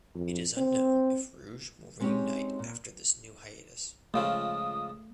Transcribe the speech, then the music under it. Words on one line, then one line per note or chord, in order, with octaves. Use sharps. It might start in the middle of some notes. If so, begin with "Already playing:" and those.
It is unknown if Rouge will reunite after this new hiatus.
F2
C4
G#3 C4 C#4 D#4 G4 C#5
A#2
C#2 C#3 F3 A3 D#6